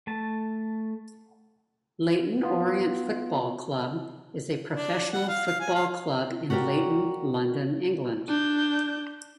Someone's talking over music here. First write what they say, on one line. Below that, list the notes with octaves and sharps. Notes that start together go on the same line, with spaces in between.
Leyton Orient Football Club is a professional football club in Leyton, London, England.
A3 A5
B3 F4
D4
F#5
F5
F5
G#5
F5
F#4 G4 A#4 D5 G5
D4 G6